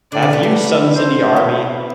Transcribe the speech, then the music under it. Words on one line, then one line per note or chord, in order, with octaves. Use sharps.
Have you sons in the army?
D3 D5
E3
A3
B3
C5
B3